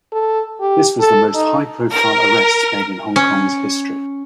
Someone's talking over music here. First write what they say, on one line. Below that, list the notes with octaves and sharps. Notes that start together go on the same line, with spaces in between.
This was the most high-profile arrest made in Hong Kong's history.
A4
G4
A4
D#4
A#4
C#4